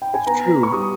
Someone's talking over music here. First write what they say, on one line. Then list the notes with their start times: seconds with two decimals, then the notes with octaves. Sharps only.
That's true.
0.02 G5
0.14 G#5
0.27 B3 A#5
0.63 C#6
0.72 G3 D#6